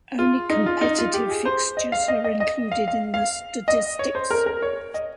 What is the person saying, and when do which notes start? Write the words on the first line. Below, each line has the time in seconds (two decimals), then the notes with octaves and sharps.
Only competitive fixtures are included in the statistics.
0.19 F4
0.50 D#4
0.66 F4
0.81 D#4
0.98 F4
1.14 G4
1.29 G#4
1.45 C5
1.77 D#5
1.92 F5
2.08 D#5
2.24 D#5
2.40 D#5
2.72 F5
2.88 F5
3.14 F5
3.68 D#5
3.99 C#5
4.15 C5
4.31 A#4
4.46 A#4
4.62 C#5
4.94 D#5